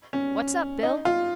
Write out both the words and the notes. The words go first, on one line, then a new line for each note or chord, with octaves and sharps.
"What's up, Bill?"
C#4
D#4
F4